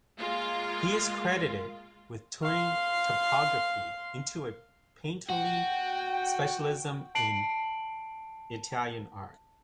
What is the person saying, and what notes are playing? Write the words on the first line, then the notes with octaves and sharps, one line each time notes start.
He is credited with turning topography into a painterly specialism in Italian art.
G#3 A#3 F4 F5
F5 C6
F#4 G5
A5 C7 D7 F#7